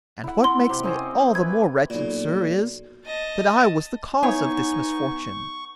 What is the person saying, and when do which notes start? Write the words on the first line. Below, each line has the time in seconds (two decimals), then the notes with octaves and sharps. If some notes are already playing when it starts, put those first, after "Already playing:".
"And what makes me all the more wretched, sir, is, that I was the cause of this misfortune."
0.24 E4 F#5
0.44 C6
0.69 C3 G4
0.83 C4 C#4 D#5
1.35 B4 E5 G#6
1.90 B1 A#2
3.06 D#5 A5
4.23 B3 D#4 E4 G#4 C#5 G#5 C#6